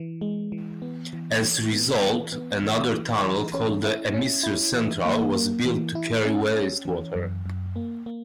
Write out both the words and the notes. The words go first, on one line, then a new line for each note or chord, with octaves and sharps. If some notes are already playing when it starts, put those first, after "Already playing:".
As a result, another tunnel, called the Emisor Central, was built to carry wastewater.
Already playing: E3
G#3
E3
B3
E3
E3
B3
E3
B3
E3
E3
E3
C#4
E4
C#4
E4
E3
A#3
A#3
E3
E4
C#4
C#4
E3
F#2
F#2
A#3
A#3